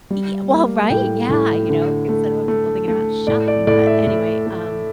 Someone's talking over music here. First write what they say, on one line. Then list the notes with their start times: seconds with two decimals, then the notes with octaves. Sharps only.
Ye well, right? Yeah, you know, 'cause I don't want people thinking I'm out shopping, but anyway, um,
0.11 G3
0.50 A#3
0.90 A2 G5
1.29 A2
1.69 D3
2.09 A3
2.48 A3
2.88 A3
3.27 A2 D5
3.48 D5
3.67 A2 D5
3.87 E5
4.07 A2
4.47 A3